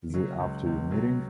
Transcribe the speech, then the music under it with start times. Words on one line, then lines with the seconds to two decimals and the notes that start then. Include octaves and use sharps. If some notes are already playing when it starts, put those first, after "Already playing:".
Is it after your meeting?
0.10 D#3
0.14 C#3 F#3
0.40 C#2
0.66 C#2
0.92 C3 F#3